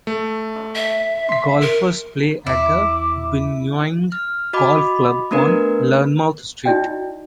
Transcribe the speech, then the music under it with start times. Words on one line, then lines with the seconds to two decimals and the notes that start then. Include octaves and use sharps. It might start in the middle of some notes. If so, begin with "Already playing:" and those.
Golfers play at the Buninyong Golf Club on Learmonth Street.
0.07 A3
0.75 E5
1.29 C6 B6
1.61 A#4
2.47 E2 E4 D6
4.12 F6
4.53 F#4 D#5 B5 D6
5.31 A3 B3 D4 A#4 B4
6.65 D#4 E4 F#4 D5 D#5 G5